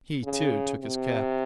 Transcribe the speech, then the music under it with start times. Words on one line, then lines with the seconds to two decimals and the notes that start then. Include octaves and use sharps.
He, too, took his cap.
0.24 C#3
0.80 C3